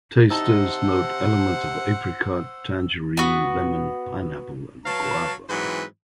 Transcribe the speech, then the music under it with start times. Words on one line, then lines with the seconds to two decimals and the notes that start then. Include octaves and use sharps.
Tasters note elements of apricot, tangerine, lemon, pineapple and guava.
0.30 C3 D#4 C5 F#5 A5 E6
3.17 B3 F#4
4.85 F#3 B4 F5 A5
5.49 G#2 E3 F#3 C4 B4